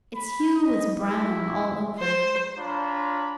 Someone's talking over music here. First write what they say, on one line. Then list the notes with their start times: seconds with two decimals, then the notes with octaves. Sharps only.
Its hue was brown, all over.
0.15 B5
0.56 D#5
1.02 E4
2.00 C5
2.58 D4 F4 C#5 A#5 B5